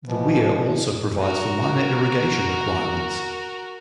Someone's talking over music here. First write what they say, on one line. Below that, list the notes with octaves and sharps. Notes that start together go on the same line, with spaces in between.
The weir also provides for minor irrigation requirements.
B2 E3 F3
F#4 A#4